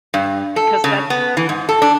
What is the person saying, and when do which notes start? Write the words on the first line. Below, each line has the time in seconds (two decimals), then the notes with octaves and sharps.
because that
0.14 G2
0.56 A4
0.84 C#3
1.10 B3
1.37 E3
1.49 G#2
1.69 A4
1.82 D4